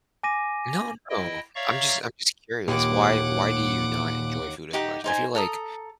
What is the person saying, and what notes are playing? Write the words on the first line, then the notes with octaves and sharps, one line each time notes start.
No, no, I'm just I'm just curious, why why do you not enjoy food as much? I feel like
G#5 D6 A#6 D#7
E4 D#5 G5
C#5 D5 E5 F5 A#5 C#6
D#2 A#2 F#5 D6
D#4 G4 F#5 G5
D#4 C5 G#5
A4 A#5 D#6